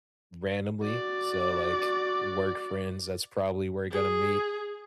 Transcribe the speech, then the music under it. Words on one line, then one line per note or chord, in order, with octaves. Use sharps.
randomly. So, like, work friends, that's probably where you're gonna meet,
F#4 D5
G#4